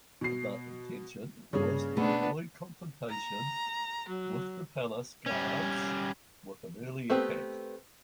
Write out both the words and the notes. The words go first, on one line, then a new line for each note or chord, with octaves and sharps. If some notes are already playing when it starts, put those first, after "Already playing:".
The intention was to avoid confrontation with the palace guards with an early attack.
B2 C7
G2 C#3 A#3 C#4 G#4
B2 A3 B3 D4 B4
A#5
F#3
G3 C#4
A3 B3 C4 G4